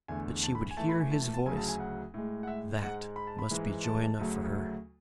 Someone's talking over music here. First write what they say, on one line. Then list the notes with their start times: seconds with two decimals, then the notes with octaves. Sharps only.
But she would hear His voice--that must be joy enough for her....
0.08 E2 D3 A3 G#5
0.43 A5
0.55 B5
0.71 G#5
0.77 A2 E3 A3 A5
0.89 B5
1.00 G#5
1.12 A5
1.22 A5
1.34 A5
1.46 D2 C#3 F#3 G#5
1.57 A5
1.69 G#5
1.80 F#5
2.14 A2 G#3
2.43 F#5
2.47 E5
2.83 G#2 G#3 F#5
3.16 B5
3.27 A5
3.39 B5
3.51 G#2 E3 G#3
3.84 A5
4.19 D2 C#3 F#3 A3